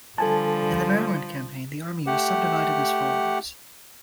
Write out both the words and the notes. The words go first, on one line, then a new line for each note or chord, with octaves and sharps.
In the Maryland Campaign the Army was subdivided as follows.
D3 F3 G3 A4 G#5 A5
A3 G4 F#5